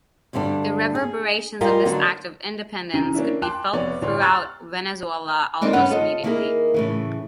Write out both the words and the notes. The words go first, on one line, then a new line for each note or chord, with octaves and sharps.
The reverberations of this act of independence could be felt throughout Venezuela almost immediately.
D2 G2 D3 G3 D4
G#4
G3 F4 G4 A#4 D#5 G#5
D3 F#3 D4 D#4
C2 C#3 E3 A#5 D#7
A#3 C#4 D4 E4
G5 A5 C6 D6 F#6
F1 B3 C#5 D5
D2 A2 C#5 D5 C6
A#5 C6 C#6 F6 F#6 A6
D#3 G#3 C4 D4 D#4 F4
G2 C#3 B3 C#4 B4 F#5
F4 A4 D#5
D#3 A#3 E4 G4 G#4 A#4
A2 C#3 E3